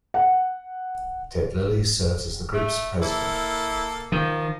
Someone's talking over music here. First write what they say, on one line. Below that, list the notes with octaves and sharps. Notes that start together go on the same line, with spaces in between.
Ted Lillie serves as the group's president.
F#5
A3
A#3 E4 A4
D#3 F3